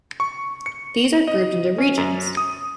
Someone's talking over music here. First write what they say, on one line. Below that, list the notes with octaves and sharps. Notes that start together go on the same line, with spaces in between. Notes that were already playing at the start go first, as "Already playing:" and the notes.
These are grouped into regions.
C#6
C#7
D#5
C#4
F#2
D#6